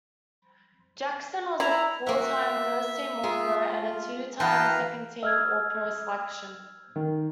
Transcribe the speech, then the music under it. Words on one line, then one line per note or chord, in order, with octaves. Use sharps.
Jackson was a four-time first-team All-Pro and a two-time second-team All-Pro selection.
E4 A#5
A#3 F#4 E5
G#3 F4 G#4
E3 F#4 B4 F5 G5 A5 A#5
D#5 E6 F6 G#6
D#3